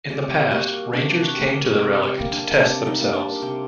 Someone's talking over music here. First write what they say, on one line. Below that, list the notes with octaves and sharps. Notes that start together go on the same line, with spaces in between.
In the past, Rangers came to the Relic to test themselves.
C3 D5
G3 A#3 F#4
C3 D4
F#4
G3 A#3
D#5
C3 D5
G4
G3 A#3
D4
C3 D4
D#4
G3 A#3
D4
C3 C4